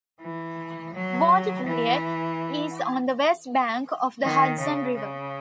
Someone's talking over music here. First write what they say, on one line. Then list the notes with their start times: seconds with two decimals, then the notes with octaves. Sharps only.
Watervliet is on the west bank of the Hudson River.
0.21 E3
0.94 F#3
1.67 E3
4.23 D#3
4.59 C#3
4.96 C#3